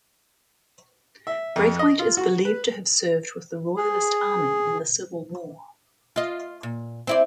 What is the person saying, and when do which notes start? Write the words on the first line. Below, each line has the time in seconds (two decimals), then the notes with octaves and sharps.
Brathwait is believed to have served with the Royalist army in the Civil War.
1.27 E5
1.56 F2
1.79 D#5
1.99 F4
2.17 F#4
2.45 B4
3.77 G#4
6.16 F4 D#5
6.63 A#2
7.07 C4 E4 D5